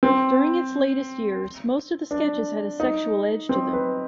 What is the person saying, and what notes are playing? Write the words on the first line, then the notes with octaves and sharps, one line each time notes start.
During its latest years, most of the sketches had a sexual edge to them.
C4
D4
D#4
C4
B4